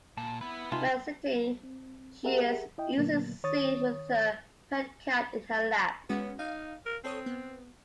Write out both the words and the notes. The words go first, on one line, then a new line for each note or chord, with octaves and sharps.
When sitting, she is usually seen with her pet cat in her lap.
A#2 A5
B3 E4 B4
C3 D#4 F4 G4 E5 G#5 A5
C4
G4 G#4 A#4 E5 F#5
E4 D#5 G5
A#2 D3 F#3 A#3 B3
D#3 C#5 D#6 A6
G#3 B3 C#4 F#4
D#4 F5
A#4
C4 A4 C#5 D#6
B3